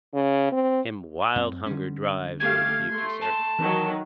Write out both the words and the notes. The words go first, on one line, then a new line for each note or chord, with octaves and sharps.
'Him wild hunger drives o'er the beauteous earth.'
C#3
C4
F#2 C4
D3 G3 C#4
A3 G4 F5 G#6
A3 C6
A5
D#3 E3 F#3